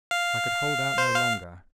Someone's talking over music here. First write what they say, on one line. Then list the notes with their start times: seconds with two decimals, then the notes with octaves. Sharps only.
I could hold out no longer.
0.11 F5
0.98 C5
1.14 F5